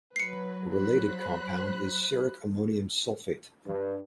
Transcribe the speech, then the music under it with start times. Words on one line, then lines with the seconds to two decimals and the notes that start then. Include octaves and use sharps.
A related compound is ceric ammonium sulfate.
0.16 F#3 B4 C7 C#7
0.70 C5 B5 F#6
3.66 G2